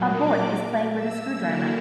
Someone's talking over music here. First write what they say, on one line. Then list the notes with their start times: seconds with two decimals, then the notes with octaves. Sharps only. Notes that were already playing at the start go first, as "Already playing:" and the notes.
A boy is playing with a screwdriver.
Already playing: A#2 F#3 A#3
0.16 D6
0.93 E6
1.32 D3 F#3 A#3 E4